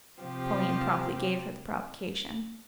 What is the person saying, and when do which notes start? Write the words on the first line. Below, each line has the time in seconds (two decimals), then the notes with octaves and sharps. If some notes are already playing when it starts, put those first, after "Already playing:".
Pauline promptly gave her the provocation.
0.22 C3 F3 C4 G4